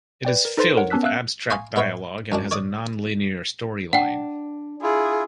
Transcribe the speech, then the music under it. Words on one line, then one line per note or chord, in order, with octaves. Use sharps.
It is filled with abstract dialogue and has a non-linear storyline.
B4 D5 G5
A#4
D#4 A4 B4 C5 C6 A6
A#4 C#5 F#5 D7
B3 C#4 A5 E6 F#6 B6
E5 F5 E6 F#6
F5 G#5 A#5 C6 C#6 D#6
G3 B3 B4 C#5 E5
F#2 C#4 D4
C#5 D5 D6 D#6
D4 F#5 G5
E4 F4 G#4